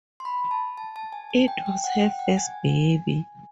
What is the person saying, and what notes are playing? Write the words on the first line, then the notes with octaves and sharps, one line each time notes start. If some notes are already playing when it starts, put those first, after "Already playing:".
It was her first baby.
C6
B5
A5
A5
A5
G#5
G#5
G5
G5
F#5
G5
F#5
G#5